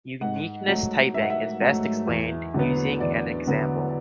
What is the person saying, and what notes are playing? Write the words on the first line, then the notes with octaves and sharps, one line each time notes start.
Uniqueness typing is best explained using an example.
G#2 F#5
F#3 A3
G#2 E5
F#5
E5
F#3 A3
E2
D3 F#3 B3
E2 D5
D3 F#3 B3